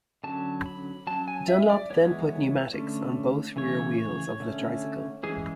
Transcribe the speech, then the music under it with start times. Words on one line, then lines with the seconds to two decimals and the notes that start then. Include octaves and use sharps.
Dunlop then put pneumatics on both rear wheels of the tricycle.
0.24 D3 F#3 C#4 A5
0.66 B5
1.07 F#3 C#4 A5
1.28 G#5
1.48 E5
1.70 D5
1.90 E3 G#3 B3 C#5
2.74 D3 A3 C#4
3.56 C#3 E3 A3 C#4 C#5
3.98 C#5
4.40 D3 A3 C#4
5.23 E3 G#3 C#4 G#4